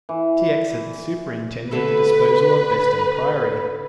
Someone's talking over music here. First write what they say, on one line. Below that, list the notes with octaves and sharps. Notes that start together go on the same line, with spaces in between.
T. X. had superintended the disposal of Beston Priory.
E3
D3 A3 A4 B4